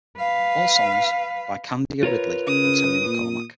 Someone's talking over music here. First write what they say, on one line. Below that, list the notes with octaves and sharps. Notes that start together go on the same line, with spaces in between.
All songs by Candia Ridley and Tony McKormack.
B4 F5
F4 A#4 B4 C#5
C#3 D#6
A#2